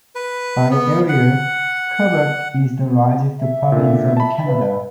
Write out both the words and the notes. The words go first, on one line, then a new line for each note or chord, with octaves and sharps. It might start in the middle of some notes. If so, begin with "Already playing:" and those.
By area, Quebec is the largest province of Canada.
B4
B3
F#5
E5
A#2 D3
A5 B5
B4